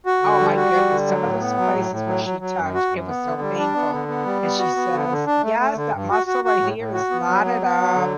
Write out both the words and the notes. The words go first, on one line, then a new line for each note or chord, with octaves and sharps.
oh my goodness, some of those places where she touched, it was so painful, and she says, "Yes. That muscle right here is knotted up,"
F#4
D3
G3
F#4
G3
D3
F#3
A2
B3
F#3
A2
A2
F#3
F#3
F#3
F#2
F#4
F#2
B3
D3
G3
D4
B3
D3
B3
G3
B3
F#4
B3
D3
D3
D4
A3
A3
D3
G2
F#4
F#4
F#4
A2
A2
F#4
B3
F#3
B3
B3
F#3
D3